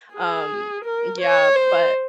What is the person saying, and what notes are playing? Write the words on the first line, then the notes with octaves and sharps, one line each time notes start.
Um Yeah, but
G#4
A#4
C#5
C5